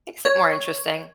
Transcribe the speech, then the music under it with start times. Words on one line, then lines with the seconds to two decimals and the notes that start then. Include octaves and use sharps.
makes it more interesting.
0.25 C#5